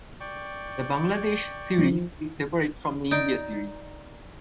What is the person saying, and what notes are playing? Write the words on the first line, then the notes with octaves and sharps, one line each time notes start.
The Bangladesh series is separate from the India series.
D5 G5 C#6
F3
D#4 D5 D7